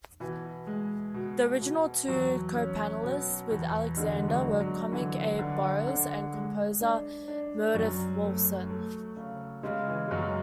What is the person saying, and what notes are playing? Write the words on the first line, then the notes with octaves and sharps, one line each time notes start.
The original two co-panelists with Alexander were comic Abe Burrows and composer Meredith Willson.
B2 E3
G#3
B2
B2
E2 F#3
C#4
B2
E2
D3 G#3
F#3
D4
F#3
D3 E3
D3
D3
G#3
D4
D4
F#2 F#3
A3
A3
C#3
C#3 G#3
E3
G#3
F#2 F#3